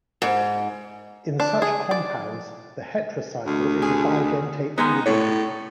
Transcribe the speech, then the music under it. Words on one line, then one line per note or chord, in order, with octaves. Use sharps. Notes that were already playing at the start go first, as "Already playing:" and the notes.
In such compounds, the heterocycle is a bidentate ligand.
G#2
D4
G#4
D5
D2
G#4
D#3 G#3 B3 D#4
A2 C#5